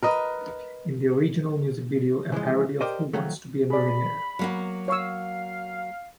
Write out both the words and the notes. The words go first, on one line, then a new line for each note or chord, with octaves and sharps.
In the original music video, a parody of Who Wants to Be a Millionaire?
A#4 B4 D#5
C#3 E3 F3 G#3
G4 A#4 C5 D5 D#5
D#3 F3 F#3 A3
G#4 D5 B5
F#3 A#3 F#4
C#5 F5 C#6 E6